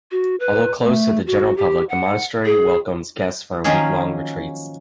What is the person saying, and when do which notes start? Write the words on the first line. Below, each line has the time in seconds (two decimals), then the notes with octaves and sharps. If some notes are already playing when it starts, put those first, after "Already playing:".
Although closed to the general public, the monastery welcomes guests for week-long retreats.
0.11 F#4
0.40 B4
0.84 A3
1.27 F#4
1.57 G4
1.89 F#5
2.45 G#4
3.64 D#3 F3 F#3 A#3 C#4 G#4